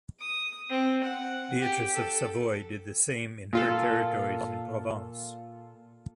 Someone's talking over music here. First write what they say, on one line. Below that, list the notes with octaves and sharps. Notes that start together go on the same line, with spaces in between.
Beatrice of Savoy did the same in her territories in Provence.
D#6
C4
F#5
G4
A4
A#2 F4 A4